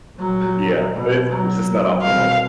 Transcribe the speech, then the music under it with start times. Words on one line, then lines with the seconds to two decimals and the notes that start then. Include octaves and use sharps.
Yeah. But it's it's just not optimal.
0.17 A#2 F#3
0.95 B2
1.30 F#3
2.02 C2 B2 F5